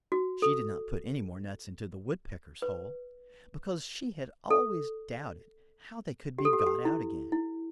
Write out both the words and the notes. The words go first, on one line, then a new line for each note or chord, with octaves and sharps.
She did not put any more nuts into the woodpecker's hole, because she had always doubted how they could be got out again.
F#4
A4
B4
A4
G4
A4
G4
A4
G4
E4
E4